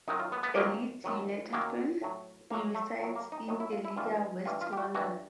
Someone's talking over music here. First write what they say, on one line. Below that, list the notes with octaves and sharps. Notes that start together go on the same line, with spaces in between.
A Leeds United fan, he resides in Ealing, West London.
F#2 D#3 F#3 D#4
F4
B3
B3
F#2 D#3 F#3 A#3
F#2 D#3 F#3
F#2 D#3 F#3 A#3
A2 F#3
A2 F#3 A#3
A3
A2 F#3
A#3
D#4
A2 F#3 D#4
E4
F4
E4
G2 E3 F4
G2 E3 F4
F4
G4
F#4
G2 E3 F#4